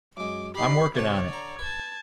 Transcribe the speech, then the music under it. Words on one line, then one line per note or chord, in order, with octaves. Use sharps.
I'm working on it.
F#2 G#3 D6
D#4 G4 B5 C7
C3 C#5 D5 F#5 A5
D3 A#5
B4 A5 G#6